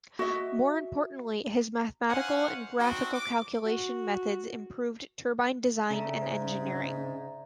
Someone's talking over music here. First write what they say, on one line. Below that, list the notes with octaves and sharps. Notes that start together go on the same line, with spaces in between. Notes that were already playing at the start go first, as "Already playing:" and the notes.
More importantly, his mathematical and graphical calculation methods improved turbine design and engineering.
F#4 D#5 E5
C#4 D#4 C5 F5 F#5 G#5
C4 D4 D#4 F#4
D6
F#4
C#3 A3 D5 E5 A#5
G#2